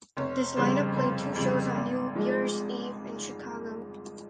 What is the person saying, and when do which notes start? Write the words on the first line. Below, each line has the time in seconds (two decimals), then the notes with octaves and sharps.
This lineup played two shows on New Year's Eve in Chicago.
0.17 F1 C#5
0.56 F2 C#3 G3 C5
0.96 F1 C5
1.36 F2 C#3 G3
1.75 G#1
2.15 G#2 F3 G#3